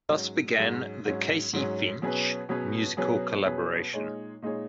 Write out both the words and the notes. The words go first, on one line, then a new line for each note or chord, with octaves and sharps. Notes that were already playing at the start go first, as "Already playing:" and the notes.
Thus began the Casey-Finch musical collaboration.
G#2 F#3 C#4
G#2 F#3 C#4
G#2 F#3 C#4
G#2 F#3 C#4
B2 F#3 C#4 G#4 B4
B2 F#3 C#4 G#4 B4
B2 F#3 C#4 G#4 B4
B2 F#3 C#4 G#4 B4
A#2 G#3 D#4 G#4 C#5
A#2 G#3 D#4 G#4 C#5